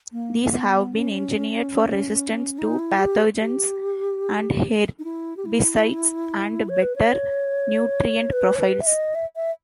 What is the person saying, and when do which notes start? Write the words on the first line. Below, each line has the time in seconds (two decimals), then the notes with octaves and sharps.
These have been engineered for resistance to pathogens and herbicides and better nutrient profiles.
0.12 A#3
0.41 A#3
0.53 B3
0.93 C#4
2.58 D#4
2.79 E4
2.99 G4
3.40 G4
4.99 D#4
5.04 E4
5.37 G4
5.45 E4
6.69 C#5
6.82 B4
6.96 C#5
8.32 B4
8.55 C#5
8.59 B4
8.80 E5
8.86 D#5
9.15 E5
9.36 E5